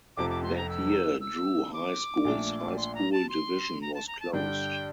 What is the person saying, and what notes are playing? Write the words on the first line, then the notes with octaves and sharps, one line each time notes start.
That year Drew High School's high school division was closed.
F1 F2 C3 F3 D6
D6
C6
A#5
E6
E6
D6
A#1 A#2 A3 D4
C6
A#5
A5
C6
A#5
A5
A#5
A5
G2 D3 G3 D4 G5